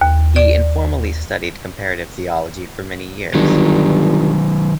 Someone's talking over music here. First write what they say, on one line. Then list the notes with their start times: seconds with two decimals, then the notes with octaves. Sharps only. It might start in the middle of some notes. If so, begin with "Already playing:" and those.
He informally studied comparative theology for many years.
0.01 D#2
0.36 D5
3.34 G1 D#3 F#3